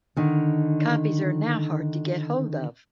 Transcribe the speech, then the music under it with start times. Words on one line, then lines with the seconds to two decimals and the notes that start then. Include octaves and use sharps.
Copies are now hard to get hold of.
0.16 D3 D#3